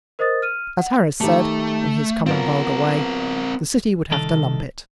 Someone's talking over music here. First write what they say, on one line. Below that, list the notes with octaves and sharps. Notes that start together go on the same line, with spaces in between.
As Harris said, in his common, vulgar way, the City would have to lump it.
A#4 C5 D#5 D#6 A6
F6 D#7
F#5
D#3 A3 G4 A5
F#3 B3 C4 F4 A#4
C2 D#3 A4